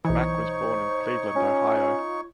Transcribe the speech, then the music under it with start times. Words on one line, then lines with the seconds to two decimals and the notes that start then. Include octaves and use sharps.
Mack was born in Cleveland, Ohio.
0.05 B1 E3 D#4 C5 C#5 C#6
1.36 C#4 F4